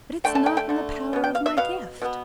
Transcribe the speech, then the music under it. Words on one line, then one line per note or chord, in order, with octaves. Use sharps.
But it's not in the power of my gift.
D3 A3 G5
A5
G5
G5
D3 A3
B2 B3
G5
F5
E5
B2 B3 F5
B2 B3